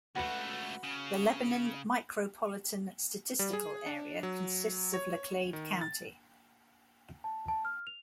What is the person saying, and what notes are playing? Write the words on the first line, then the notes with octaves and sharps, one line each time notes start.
The Lebanon Micropolitan Statistical Area consists of Laclede County.
C#2 A3 F#4 B4 F#5
C#3
G3
G#4
D4
F#3
C#5
D#3
A6
A5
A5
F6
F7